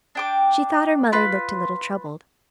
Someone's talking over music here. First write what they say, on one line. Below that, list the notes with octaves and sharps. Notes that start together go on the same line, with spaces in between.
She thought her mother looked a little troubled.
D4 G5 D6
F4 B4